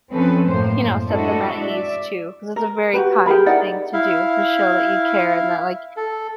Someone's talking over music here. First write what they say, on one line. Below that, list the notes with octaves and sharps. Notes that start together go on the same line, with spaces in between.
you know, set them at ease, too, 'cause it's a very kind thing to do to show that you care and that, like,
F3 C4 C#4 A4 B4 D#5
F#2 A2 A#3 C5
G#3 D4 E4 F#4 A4 D#5
D5 E5
A#4
F#4 G4 B4
G4 G#4 A#4 B5
D#4 E4 D5 F#5
E4 F5
A4